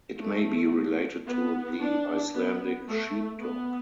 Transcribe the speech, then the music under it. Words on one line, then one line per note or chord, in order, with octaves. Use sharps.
It may be related to the Icelandic Sheepdog.
A3
B3
D4
B3
A3
B3